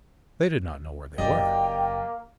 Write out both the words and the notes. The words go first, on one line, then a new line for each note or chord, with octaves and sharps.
They did not know where they were.
F#1 F#2 A#3 G4 D5 D#5 G5